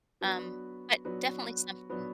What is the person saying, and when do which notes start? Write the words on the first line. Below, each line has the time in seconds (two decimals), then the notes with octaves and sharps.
um, but definitely something.
0.21 F#3 B3 D4 F#4 B4
1.05 F#3 B3 D4 F#4 B4
1.90 F#3 B3 D4 F#4 B4